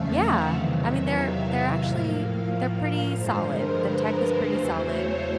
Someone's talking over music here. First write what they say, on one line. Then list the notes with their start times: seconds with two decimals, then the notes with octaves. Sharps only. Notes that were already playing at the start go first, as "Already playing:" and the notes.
Yeah, I mean, they're they're actually they're pretty solid. The tech is pretty solid.
Already playing: E2 C#3 F3 A3 E5 F5
0.13 F#5
0.46 E2 C3 D#3 F#3 F5
0.80 E5
1.14 F5
1.47 E5
1.80 A2 F3 A#3 F5
3.14 G2 D3 F3 G#3 C5
3.48 A#4
3.81 B4
4.47 E2 C#3 F#3 A3 C5
4.81 C#5